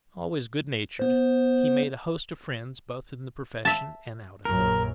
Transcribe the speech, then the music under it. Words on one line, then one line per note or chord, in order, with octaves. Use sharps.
Always good-natured, he made a host of friends both in the profession and out of it.
B3 C5
E5 A5
A#1 F#2 A#4